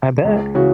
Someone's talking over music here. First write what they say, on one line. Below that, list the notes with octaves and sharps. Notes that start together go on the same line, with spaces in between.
I bet.
C#2
C#3 E3 F#4